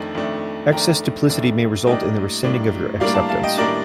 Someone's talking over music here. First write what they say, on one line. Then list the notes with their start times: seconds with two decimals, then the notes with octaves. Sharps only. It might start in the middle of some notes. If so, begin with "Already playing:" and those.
Excess duplicity may result in the rescinding of your acceptance.
Already playing: F2 D#3 A3 D4
0.15 F2 D#3 A3 D4
0.72 F2 D#3 A3 D4 G5 A#5
1.29 F2 D#3 A3 D4
1.87 A2 G3 A#3 D4 D#5 G5
2.43 A2 G3 A#3 D4
3.00 A2 G3 A#3 D4 D5 F5
3.14 F5 A5
3.29 F5 A5
3.43 D#5 G5
3.57 A2 G3 A#3 D4 A#4 D5